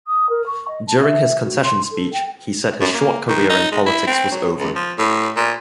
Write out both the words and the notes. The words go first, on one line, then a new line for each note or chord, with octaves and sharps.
During his concession speech, he said his short career in politics was over.
D#6
A#4
C#6
D#5
A5
E5
F#4
C6
A4
G5
F#2
A#3
D#3
D#4
G#3
E4
C4
F#3
C#2
F3
A2
A#2